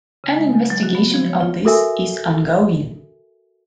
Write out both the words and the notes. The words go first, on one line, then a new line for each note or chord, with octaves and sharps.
An investigation of this is ongoing.
C#3
G#3
G#5
F#3
F#4
B3
F3
C#5
F4
F#4 A4 A#4 E5 G#5